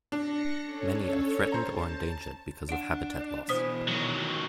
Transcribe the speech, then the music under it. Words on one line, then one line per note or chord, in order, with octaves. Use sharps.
Many are threatened or endangered because of habitat loss.
D4 A#6 C#7
C#4 A4 C#5
C5 A5 A#5
D4 F#5 D7
B2 E3 C5 D#6 B6
D#3 F#3